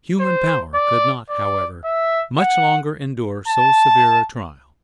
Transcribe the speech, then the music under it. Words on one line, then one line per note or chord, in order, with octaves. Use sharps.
Human power could not, however, much longer endure so severe a trial.
C5
D5
D5
E5
F#5
A5